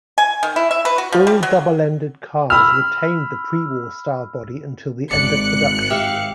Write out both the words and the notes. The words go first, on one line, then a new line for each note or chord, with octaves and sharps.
All double ended cars retained the pre-war style body until the end of production.
G#5
D#3
E4
E5
B4
F#4
F3
G3
F#3
B5 E6 F6
G#1 D5 F#6 C#7
G4 E5 F5